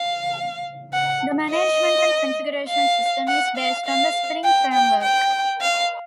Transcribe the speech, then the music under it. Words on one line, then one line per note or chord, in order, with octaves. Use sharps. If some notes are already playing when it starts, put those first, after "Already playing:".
The management and configuration system is based on the Spring Framework.
Already playing: F5
F#5
D#5
F5
F#5
F5
F5
G5
G5
G5
F5